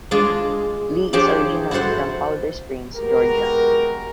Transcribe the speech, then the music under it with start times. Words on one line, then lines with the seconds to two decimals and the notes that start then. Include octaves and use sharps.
Lee is originally from Powder Springs, Georgia.
0.11 G#3 D4 F4 G#4
1.13 F3 D4 G4 G#4 C5 C#5
1.71 E4 F#4 A4 C5 F#5
2.94 G#3 B3 F#4 G4 A#4